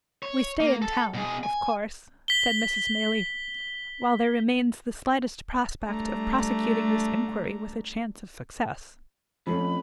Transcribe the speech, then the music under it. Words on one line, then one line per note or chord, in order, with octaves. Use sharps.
'We stay in town, of course,' said Mrs. Maylie, 'while there remains the slightest prospect of prosecuting this inquiry with a chance of success.
C#5
A#3
A4
B2 G#4
G#5
B6 G7
G3 A3 D4 A#5
F2 F3 A3 C#4 B5